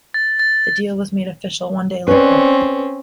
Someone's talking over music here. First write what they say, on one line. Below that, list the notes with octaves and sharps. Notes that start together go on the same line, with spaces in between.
The deal was made official one day later.
A6
A6
C4 C#4 B4 D5